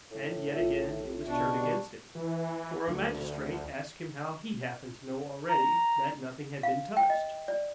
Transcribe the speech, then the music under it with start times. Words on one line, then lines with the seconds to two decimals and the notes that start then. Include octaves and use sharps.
And yet again it was turned against him; for a magistrate asked him how HE happened to know already that nothing had been touched.
0.11 A2
0.55 A#1 F4 E5
1.27 B2 D4 C#6
1.59 G3
2.15 E3
2.88 D2
5.49 A#5
6.63 F5
6.97 G5
7.10 D#5
7.48 D5